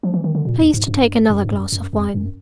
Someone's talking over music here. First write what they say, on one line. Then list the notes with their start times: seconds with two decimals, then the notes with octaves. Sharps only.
"Please to take another glass of wine."
0.03 F3
0.14 E3
0.24 D#3
0.35 D3
0.45 A#2
0.60 E2
0.73 G#2
0.88 G2
1.30 F#2
1.44 G2
1.51 F#2
1.72 F#2
1.93 F2
2.14 F#2